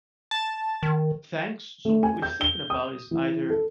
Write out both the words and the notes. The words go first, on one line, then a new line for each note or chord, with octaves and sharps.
"Thanks." So, what we're thinking about is either
A5
D#3
A3
G#5
G6
G7
D#6
E3
A4